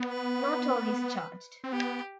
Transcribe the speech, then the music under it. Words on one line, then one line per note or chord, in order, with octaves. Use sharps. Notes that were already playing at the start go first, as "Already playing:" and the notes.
No toll is charged.
Already playing: B3
B4
C4
B3 G4